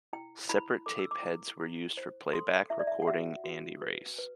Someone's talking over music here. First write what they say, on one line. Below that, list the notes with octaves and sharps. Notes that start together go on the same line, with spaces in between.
Separate tape heads were used for playback, recording, and erase.
E4 G5
E4 B5
A4 D6
E6
D6
E4
E4
C5
A4 C6
E4 E5
D5
E5
F#5
F#4 E5
F#4
B4
B4